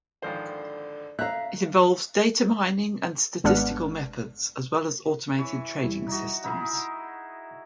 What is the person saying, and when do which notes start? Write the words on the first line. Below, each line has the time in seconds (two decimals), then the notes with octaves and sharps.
It involves data mining and statistical methods, as well as automated trading systems.
0.22 G#1 D3 F3 C5
1.19 E5 F5 A#5 F#6
3.44 G#1 G#3 B3 D4 F#5 F6
5.38 E3 C#5
5.83 E2 G3 E4
6.07 D#4 F#4
6.44 D#4 E4 G#4 F#5 A#5 B5